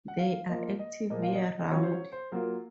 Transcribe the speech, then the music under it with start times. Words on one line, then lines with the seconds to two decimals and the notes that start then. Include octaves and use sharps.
They are active year-round.
0.08 F#5
0.18 F5
0.49 F3 A#3 F4 D#5
0.79 D#5
1.10 A#2 F3 A#3 D#5
1.22 F5
1.35 D#5
1.59 D#5
1.71 F#3 C#4 F4 C#5
1.83 C5
1.92 C#5
2.12 C5
2.32 F#3 A#3 F4 A#4